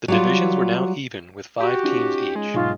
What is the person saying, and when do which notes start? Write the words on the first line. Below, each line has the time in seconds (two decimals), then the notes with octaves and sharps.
The divisions were now even with five teams each.
0.08 F#3 G3 F4
1.60 F#4 G4
1.83 C#4 D#4 F4
2.36 G#3
2.54 B1 G#2 F4 C#6